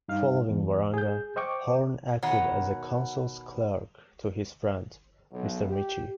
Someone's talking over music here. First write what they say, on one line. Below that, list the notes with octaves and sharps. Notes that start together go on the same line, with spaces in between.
Following Waranga, Horne acted as a "counsel's clerk to his friend, Mr Mitchie".
G2 D#4 F5
E2
G#4 G6
C5 D#5 G5 C#6 D6
B2 D#3 C#5 F#5
B1
G4